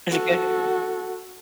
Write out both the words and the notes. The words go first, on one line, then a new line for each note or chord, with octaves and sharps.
Is it good?
F#4 A4